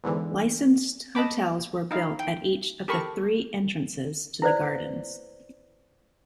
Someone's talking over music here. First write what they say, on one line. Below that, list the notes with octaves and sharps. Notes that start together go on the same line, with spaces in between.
Licensed hotels were built at each of the three entrances to the gardens.
E2 G#2 D3 E3
D#5 A5 B5 D6
D#4 E4 F5
G5
G4 A4 A#4 A5 B5 C#6
E4 B4 C5 D5